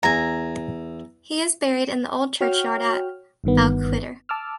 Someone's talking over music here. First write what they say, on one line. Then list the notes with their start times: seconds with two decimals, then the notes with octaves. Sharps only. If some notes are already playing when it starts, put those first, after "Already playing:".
He is buried in the old churchyard at Balquhidder.
0.03 E2 G#5 A#5
2.41 F#4 C#5 G5 F6
3.44 G1 G2 D#3 B3
4.29 A5 D6 E6 F6